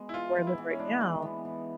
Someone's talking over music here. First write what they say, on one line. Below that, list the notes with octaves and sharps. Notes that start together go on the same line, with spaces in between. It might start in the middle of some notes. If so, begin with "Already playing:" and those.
Where I live right now,
Already playing: G#3 B3
E4
E3 F4
B3
E4
E3
C#4
G#3 D4
E3
B3
E3